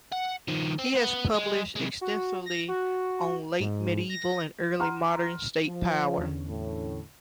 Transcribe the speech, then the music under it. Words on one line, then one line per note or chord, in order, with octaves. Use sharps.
He has published extensively on late medieval and early modern state power.
F#5
D#3 F3
C4
B3
G#3
C3 G#3
F#4
A#6
F#4
G#2
A#6
F#5 A#5 C6 F6
F3
E2 D3 C#4
A2